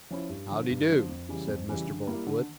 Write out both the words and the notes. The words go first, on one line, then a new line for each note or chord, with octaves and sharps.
"How dee do," said Mr. Boltwood.
F3 C#4 E4
G2
D3 F3
G2
D3 F3
F2
C#3 E3 G3
F2
C#3 E3 G3
D3
G3 A#3 E4
D3